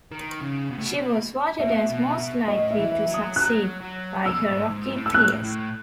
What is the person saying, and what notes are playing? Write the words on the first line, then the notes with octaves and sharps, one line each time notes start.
She was voted as "most likely to succeed" by her Rockette peers.
D#3
C#3
B2
A2
B2
B2 E5
B2
B2
A2 D#5
E5
E3
E5
F#3
D#6
F#3 F#6
F#3
B2 E6
G#2
G#2
A2
E6
A2 F#6
A2